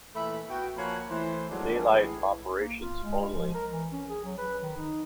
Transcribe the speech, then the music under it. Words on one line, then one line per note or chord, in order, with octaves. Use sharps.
Daylight operations only.
A#2 E3 A3 E5 B5
B3 F#4 G5
F3 A#3 C#5 F#5 G#5 B5
E3 A3 C5
D3 F3 F#3 G#3 A#3 D4
A2 E3 G#4
A#3
F4
G#3
F3
A#4
E3
C#4
G#4
F#3
B4
D#3
D#4